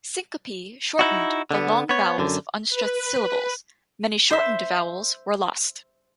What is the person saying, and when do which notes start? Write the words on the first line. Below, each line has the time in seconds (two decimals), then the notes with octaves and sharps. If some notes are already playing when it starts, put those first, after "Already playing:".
Syncope shortened the long vowels of unstressed syllables; many shortened vowels were lost.
0.99 D#4 E4 F#4
1.51 D3 B3
1.89 B3 C#5
2.18 F#2 D3
2.70 B4
4.31 C5 E5